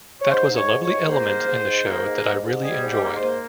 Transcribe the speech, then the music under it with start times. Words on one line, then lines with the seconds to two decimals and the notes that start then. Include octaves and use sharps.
That was a lovely element in the show that I really enjoyed.
0.22 C#5
0.30 G#2 C5
0.49 G#2
0.56 C#5
0.69 G#2
0.82 C#5
0.88 G#2
1.08 A#3 C5
1.28 G#2
1.46 G#2
1.66 G#2
1.86 A#3
2.05 G#2
2.25 G#2
2.44 G#2
2.63 G3 G#4
2.83 G#2
2.89 G4
3.03 A#3
3.16 C5
3.21 A#3